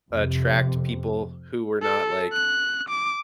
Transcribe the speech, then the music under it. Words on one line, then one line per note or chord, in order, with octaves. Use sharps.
attract people who were not, like,
F2 C3
A4
F#6
D6